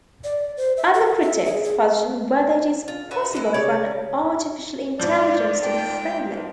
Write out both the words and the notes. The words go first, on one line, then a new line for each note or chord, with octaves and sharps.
Other critics question whether it is possible for an artificial intelligence to be friendly.
D5
C5
E5
A4
E5
G#4
G#4
F4
F#4 B4 C#5 E5
E3 F#3 G#3 E4
C#3 G4 C#5 D5
G#2 F3 D5
G5